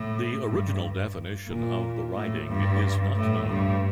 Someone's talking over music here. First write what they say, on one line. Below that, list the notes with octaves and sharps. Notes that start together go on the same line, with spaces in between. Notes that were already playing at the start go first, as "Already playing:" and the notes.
The original definition of the riding is not known.
Already playing: A2
G2
A#2
A2
G2
A2
G2